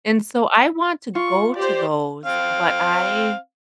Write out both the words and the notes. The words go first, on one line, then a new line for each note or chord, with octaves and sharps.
And so I want to go to those, but I
F4 C#6
G4 C5 D5
C4 F5